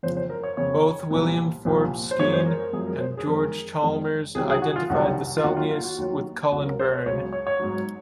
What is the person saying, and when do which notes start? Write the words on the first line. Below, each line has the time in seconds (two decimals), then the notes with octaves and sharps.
Both William Forbes Skene and George Chalmers identified the Celnius with Cullen Burn.
0.03 F2 C#3 F3 C5
0.17 C5
0.30 A#4
0.43 C#5
0.57 F2 C#3 F3 C#5
1.11 C2 A#2 F3
1.65 C2 A#2 F3
2.11 C5
2.20 F#2 F3 G#3 C#5
2.33 C5
2.46 A#4
2.60 A#4
2.73 F#2 F3 G#3 G#4
2.87 A#4
3.00 C5
3.17 G#4
3.27 F2 D#3 G#3 A#4
3.82 F2 D#3 G#3
4.35 C2 C3 D#3 F#3 G#4
4.50 G#4
4.62 F#4
4.76 F4
4.90 C2 C3 D#3 F#3 F#4
5.37 F4
5.43 D#2 D#3 F#3 F#4
5.57 F4
5.71 F4
5.84 F#4
5.98 D#2 D#3 F#3
6.52 C#2 C#3 F#3 F#4
6.65 A#4
6.79 C5
6.92 C#5
7.06 C#2 C#3 F#3 C#5
7.33 C#5
7.47 C#5
7.60 G#2 F#3